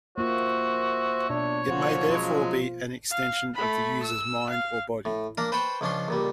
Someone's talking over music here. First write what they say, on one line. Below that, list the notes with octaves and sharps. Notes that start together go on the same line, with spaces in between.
It may therefore be an extension of the user's mind or body.
A#3 F4 F#4 C5 E5
B2 D4 C#5
D3 F3 F#4 C5
F#3 G#3 C#4 F4
F5
A3 B5
E6
F5
A2
A#3 D4 A#4 A#5
B4 C5 G5 A5 B5 C#6
C#2 F3 C#4 D4 C6
C#2 A#2 G3